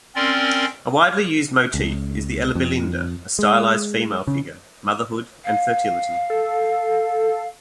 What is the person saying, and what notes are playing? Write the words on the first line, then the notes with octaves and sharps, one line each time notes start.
A widely used motif is the elibelinde, a stylized female figure, motherhood and fertility.
C4 C#4 A#4 D5 C6
C#2
F2
G#3
C#3
F5
A4